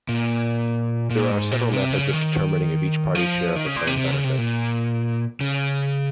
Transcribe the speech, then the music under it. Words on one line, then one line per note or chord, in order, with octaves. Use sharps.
There are several methods of determining of each party's share of the plan benefit.
A#2
A#2
G#2
A#2
C3
C#3
D#3
F3
D#3
C#3
A#2
C3
C3
C#3
C3
A#2
C#3